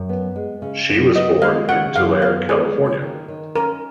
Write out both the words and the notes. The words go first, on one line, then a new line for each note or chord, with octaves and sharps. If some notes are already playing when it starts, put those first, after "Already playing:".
She was born in Tulare, California.
Already playing: F#2
B3
G#3
C#3
F#2
B3 D#5
G#3 F5
C#3 F#5
F#2 F5
B3 F5
G#3 G#4
A#3
D#3
D#3
C#4 A#4